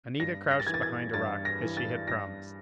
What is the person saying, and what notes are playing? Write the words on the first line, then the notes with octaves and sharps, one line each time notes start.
Anita crouched behind a rock, as she had promised.
G2 A#6
A#6
A6
E3 G#6
A6
G#6
G2 A6
A#6
E3
A6
G2 A#6